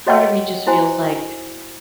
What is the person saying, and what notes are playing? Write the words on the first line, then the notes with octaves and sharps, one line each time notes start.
part of me just feels like
F#4 C#5 D#5 F#5 G5
E4 F#4 C5 G#5